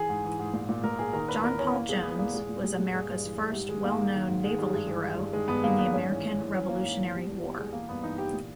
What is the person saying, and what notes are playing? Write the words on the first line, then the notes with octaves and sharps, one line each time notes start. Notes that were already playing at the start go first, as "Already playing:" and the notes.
John Paul Jones was America's first well-known naval hero in the American Revolutionary War.
Already playing: E3 G#4
G#2
E3
G#2
A#2
A#2
A#2 A#4
A#2 G#4
D#3 A#4
E2 B4
E2 A#4
E2 C#4
E2 A#3
B2 G#3
E2 B3
E2 A#3
A#2 G#3
A#2
A#2 G3
A#2 G3
G2 G#3
G2
E3
G2
G#2 G3
D#3 G#3
G#2 A#3
D#3
D#3
G#2
G#2 G#3
D#3 G3
G2 G#3
E3
G2
G2
D#3 G#3
G2 B3
D#3 A#3
G2 B3
G#2 C#4
E3
E3
E3
E3 C#4
E3 A#3
G#2
E3
B2 G3
E2
B2 G3
B2 G#3
E3 A#3
G2 B3
E3 D#4
E3 G4
A#2